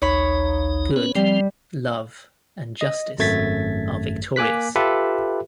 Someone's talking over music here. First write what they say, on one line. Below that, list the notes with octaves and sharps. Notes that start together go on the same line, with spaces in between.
Good, Love and Justice are victorious.
A#1 D#2 D#4 C#5 B5
B3 C#4 B4
F3 G3 C4
D#5
G#1 F#2 A3 G#6 A6 B6
A#3 G#5 D6 F#6 B6
F4 G4 A4 B4 E5